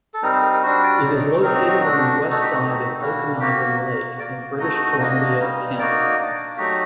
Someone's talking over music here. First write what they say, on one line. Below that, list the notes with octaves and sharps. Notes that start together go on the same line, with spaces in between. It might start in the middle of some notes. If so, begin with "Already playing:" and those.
It is located on the west side of Okanagan Lake in British Columbia, Canada.
A4
G3 C4 D#4 A#4
C5
A#4
A#4
G3 D4 F#4 C5
D5
F#3 A3 D#4
F#3 C4 D#4 A#4
F#4
F#4
A3 D4 F#4
A3 D#4 F#4
A4
G4
F#4
A3 C4 D#4
G3 A#3 D4
A#3 F#4 G4
A#3 F#4
A#3 D5
F#4
A3 D#4 F#4 D#5
A#3 D4 F#4
G3 A#3 D#4
A#3 D#4 F#4 D5
A#3 D4 F#4
F#3 A3 D#4 F#4 G4